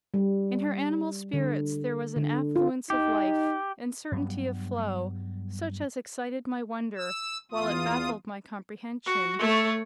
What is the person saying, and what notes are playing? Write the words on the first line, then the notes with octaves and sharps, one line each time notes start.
In her animal spirits there was an affluence of life and certainty of flow, such as excited my wonder, while it baffled my comprehension.
G3
D3
D3
F4
D#4 G4
G2 F#3 G3 B3
E6
E2 F4 D#6
F#4
A3 C#5